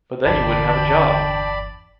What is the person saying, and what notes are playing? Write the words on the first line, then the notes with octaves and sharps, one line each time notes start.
But then you wouldn’t have a job.
G1 E2 D3 D5 G5 A5 B5